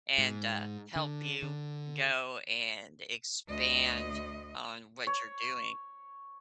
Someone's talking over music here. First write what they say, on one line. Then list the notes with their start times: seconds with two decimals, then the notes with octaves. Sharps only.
and, uh, help you go and expand on what you're doing.
0.18 G#2
0.96 D3
1.42 D3
3.48 D2 D#5
5.07 C#5